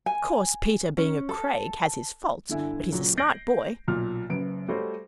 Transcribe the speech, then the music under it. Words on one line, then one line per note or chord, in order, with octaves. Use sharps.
Of course, Peter, being a Craig, has his faults, but he's a smart boy.
G#5
C#4
A4
G1 D3 E4 G#5
A#2 C#3 F#3
G6 A#6 C7 D7 F#7
B1 A#2 F6
F#1 F#2 B4 D7
G3 A3 F#4 C5 C#5